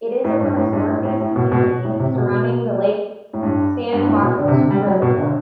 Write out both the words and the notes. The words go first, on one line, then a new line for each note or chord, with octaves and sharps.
It is a resort-based community surrounding the Lake San Marcos reservoir.
A2
G2
A2
G2
A2
A2
A2
B2
B2
A2
C3
B2
A2
G2
G2
A2
B2
D3
C3
D3
G3
F#3
B2
D3